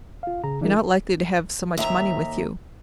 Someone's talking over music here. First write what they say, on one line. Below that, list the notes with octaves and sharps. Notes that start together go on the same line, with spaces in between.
You're not likely to have so much money with you.
F4 F5
C#3 G#4 A#5
E3 D4 E4 G#4 A#4
D#2 E5 A#5